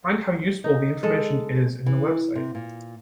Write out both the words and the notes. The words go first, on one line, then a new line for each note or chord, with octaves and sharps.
Find how useful the information is in the website.
D#4
G#3 A4
E3
C3
A#2